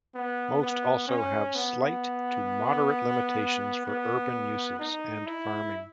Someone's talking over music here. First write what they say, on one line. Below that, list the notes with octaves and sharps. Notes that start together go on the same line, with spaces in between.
Most also have slight to moderate limitations for urban uses and farming.
B3
B3
C#4
B3
B3
D#4
E4